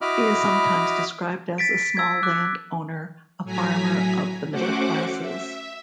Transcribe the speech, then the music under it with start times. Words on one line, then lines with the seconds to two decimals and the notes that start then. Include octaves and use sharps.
He is sometimes described as a small landowner, a farmer of the middle classes.
0.01 E4 F#4 D#5 B5 D6 F6
1.58 A6 B6 D7
1.97 E6 G#6
2.23 D6 F#6
3.44 A2 F#3 G#5 A#5 B6
4.50 A3 C#4 F#4 C5 F#5 D6
5.21 E5